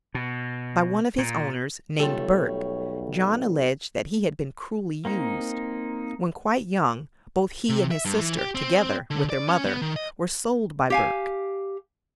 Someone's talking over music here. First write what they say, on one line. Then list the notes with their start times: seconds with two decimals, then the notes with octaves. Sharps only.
By one of his owners, named Burke, John alleged that he had been "cruelly used." When quite young, both he and his sister, together with their mother, were sold by Burke.
0.15 B2
1.18 A#2
2.00 B1 G3 A3 F4 A4 C#5
5.05 A#3 C4 D#4
7.69 C3
7.91 E5
8.05 G2
8.19 E3
8.38 G4
8.55 C4
9.10 D3
9.30 D5
9.48 C#4
9.66 B3
9.82 D#3
9.96 D#5
10.90 G4 F5 G#5